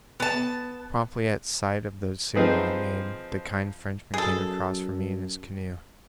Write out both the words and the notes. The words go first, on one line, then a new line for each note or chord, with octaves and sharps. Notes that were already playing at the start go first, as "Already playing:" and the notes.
Promptly at sight of the signal I made, the kind Frenchman came across for me in his canoe.
B3 A5
F3 C4 D#4 G#4 B4
F#2 G#4 A4